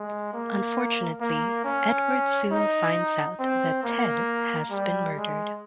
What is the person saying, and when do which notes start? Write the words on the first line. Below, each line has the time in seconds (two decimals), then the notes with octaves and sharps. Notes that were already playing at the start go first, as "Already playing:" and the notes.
Unfortunately, Edward soon finds out that Ted has been murdered.
Already playing: G#3
0.34 A#3
1.21 A#3
1.64 C#4
2.52 D#4
3.39 C4
3.84 A#3
4.71 G3
5.15 G#3